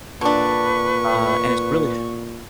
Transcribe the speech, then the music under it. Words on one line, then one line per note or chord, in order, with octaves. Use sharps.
uh, and it's really
A#2 D3 D4 B4 C#6